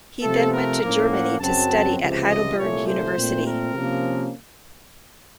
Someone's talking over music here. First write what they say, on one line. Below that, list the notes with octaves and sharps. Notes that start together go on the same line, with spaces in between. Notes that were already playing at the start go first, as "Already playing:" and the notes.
He then went to Germany to study at Heidelberg University.
C3 F3 A3 C4 A4
A#4
A2 F3 A#3 C#4
F#5
F#2 C#3 F#3 C4 A5
C#2 C3 F3
D#5
C2 A#2 A3 C#5
C5
A#2 A3 C4
A#4
C3 F3 A#3 C#4